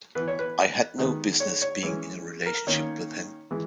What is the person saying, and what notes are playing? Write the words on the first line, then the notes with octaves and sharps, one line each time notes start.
I had no business being in a relationship with him.
E3 B3 B4
C#5
B4
D#3 G#3 B3
C#5
C#5
E3 G#3 C#4
A#4
D#3 A#3 C#4 C#5
E3 G#3